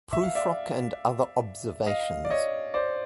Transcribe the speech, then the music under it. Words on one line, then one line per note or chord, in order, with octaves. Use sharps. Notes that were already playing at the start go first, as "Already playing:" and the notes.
"Prufrock and other observations".
E5
F5
D5 E5
D#5 F5
D5
C#5 D#5
C5 D5